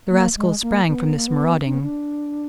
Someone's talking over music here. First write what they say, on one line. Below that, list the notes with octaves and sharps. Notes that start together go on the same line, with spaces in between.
The rascal sprang from this marauding.
A#3
G#3
A#3
B3
A#3
B3
D4
B3
D4